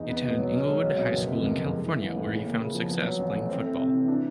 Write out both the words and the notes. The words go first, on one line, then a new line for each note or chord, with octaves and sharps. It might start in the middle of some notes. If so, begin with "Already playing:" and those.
He attended Inglewood High School in California where he found success playing football.
Already playing: E2 D#4
B3
B2
F#3
C#4
G#3
B1
B2
F#1
C3
F#1
F2
G#3
E3
A1
A2
C#3
A#3
C#3
F3
B3
F#3
A1
A2
C4
A3
C3
E3
D4